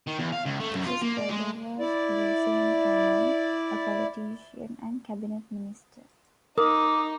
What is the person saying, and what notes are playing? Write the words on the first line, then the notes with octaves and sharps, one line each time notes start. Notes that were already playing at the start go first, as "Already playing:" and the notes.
His brother was Lucien Cannon, a politician and cabinet minister.
D#3
E2
F5
C#2
A3
F#2
F4
A#3
D5
G#3
E4 D5
D#4 A#4 D6 D#6